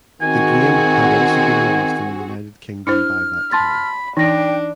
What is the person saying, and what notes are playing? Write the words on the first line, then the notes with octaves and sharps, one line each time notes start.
The game had also been released in the United Kingdom by that time.
D#3 C4 F#4 G#4 G#5
D4 E4 C5 F6
A5 B5 C6 A6
E3 D4 D#4 G5 A#6